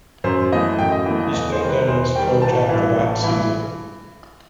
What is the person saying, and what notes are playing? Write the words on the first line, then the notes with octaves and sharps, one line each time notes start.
He stepped down as coach after that season.
F#2 C5
E3 A3 D#5
F#2 G5
D#5
E3 A3
D#5
E2 D#5
C5
D#3 G3
B4
E2 C5
D#3 G3 G5
A1 A5
G2 E3
A1
G2 E3